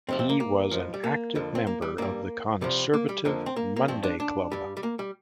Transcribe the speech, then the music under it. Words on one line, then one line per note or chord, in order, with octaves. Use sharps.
He was an active member of the Conservative Monday Club.
F2 C3 F3 C4
C4
A#3
A#3
F2 F3
G3
A#3
F2 D3 F3
C4
A#3
G3
G2 G3 A#3
C2 C3 F3 G3
A#3
G3
F2 D3 F3 A#3
C4
A#3
A#3
G2 F3 C4
D4
D4
G2 G3
G3
A#3
G3